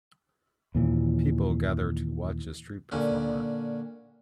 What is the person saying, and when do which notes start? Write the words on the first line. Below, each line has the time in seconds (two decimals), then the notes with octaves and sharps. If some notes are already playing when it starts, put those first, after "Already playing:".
People gather to watch a street performer.
0.75 D#2 A#2 E3
2.92 A#2 D3 C#4